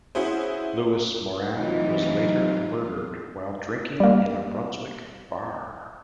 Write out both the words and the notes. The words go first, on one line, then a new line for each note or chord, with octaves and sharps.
Lewis Moran was later murdered while drinking in a Brunswick bar.
C#4 E4 F#4 G#4 C5
C3 E3 F#3 A3 D#4 F4
G3 A#3